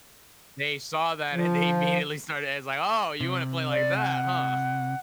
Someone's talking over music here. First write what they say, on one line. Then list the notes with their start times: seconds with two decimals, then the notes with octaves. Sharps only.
They saw that, and they immediately started as like, "Oh, you wanna play like that, huh?"
1.34 F3
3.20 C3
3.70 D5
3.97 F#5